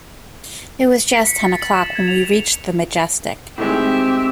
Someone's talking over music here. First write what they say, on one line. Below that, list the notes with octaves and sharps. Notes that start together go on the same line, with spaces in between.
It was just ten o'clock when we reached the Majestic.
B6
C#7
A6
F#7
E7
G#6
F7
A2 D#3 G#3 C4 G4 E5